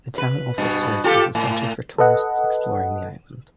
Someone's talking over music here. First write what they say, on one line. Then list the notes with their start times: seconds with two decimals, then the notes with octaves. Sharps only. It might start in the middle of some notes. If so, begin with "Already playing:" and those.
The town also serves as a centre for tourists exploring the island.
0.18 B4
0.58 G2 B2
1.04 F4 G4 A4
1.35 A2
1.98 A4 B4 D#5 F#5